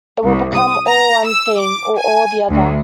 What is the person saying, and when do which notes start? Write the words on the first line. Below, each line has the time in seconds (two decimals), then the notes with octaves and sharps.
It will become all one thing, or all the other.
0.24 C2
0.55 D#6
0.87 A#5
1.27 E6
1.59 D6
1.97 G#5
2.50 D2